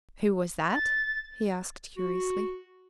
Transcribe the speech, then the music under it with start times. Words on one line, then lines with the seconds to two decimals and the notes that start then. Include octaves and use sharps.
"Who was that?" he asked curiously.
0.74 A6
1.97 F#4